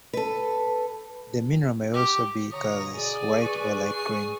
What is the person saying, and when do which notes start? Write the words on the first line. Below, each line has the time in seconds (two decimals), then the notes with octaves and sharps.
The mineral may also be colorless, white, or light green.
0.13 A4 B4
1.94 G4
2.52 B2 D3 C#5 A#5 D#6
2.95 G#4 D5
3.42 B4 C#6
3.92 G#4 C7